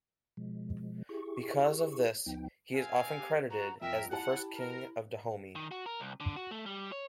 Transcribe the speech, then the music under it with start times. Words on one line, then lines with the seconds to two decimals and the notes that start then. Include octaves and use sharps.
Because of this he is often credited as the First King of Dahomey.
0.37 B2 F3 G#3
1.09 E4 G4 G#4 C#6
2.26 D2 F3 B3 D#4 G5
2.74 C4 F5 G#5
3.16 G4
3.50 F#4 A#5
3.81 F2 A#4 E5 G5
4.11 E4 G4 F#5 A5
4.56 A#4
5.56 D#3
5.71 F#4
5.86 A#4
6.00 C2
6.20 D3
6.36 F#4
6.51 A3
6.66 G3
6.92 C#5